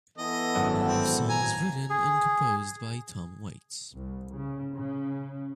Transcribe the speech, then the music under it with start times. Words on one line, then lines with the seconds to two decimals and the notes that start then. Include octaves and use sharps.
All songs written and composed by Tom Waits.
0.18 E3 B3 A4 D#5
0.55 G#1 F#2 F#3
0.85 C4
1.29 G#5 A#5
1.90 G#4
3.96 C2
4.33 C#3
4.76 C#3